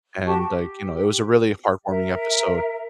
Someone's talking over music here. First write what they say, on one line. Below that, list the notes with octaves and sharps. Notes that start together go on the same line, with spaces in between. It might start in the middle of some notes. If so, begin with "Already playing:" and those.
and like, you know, it was a really heartwarming episode,
F#4 G4 A5 C#6
G4
A#4 E5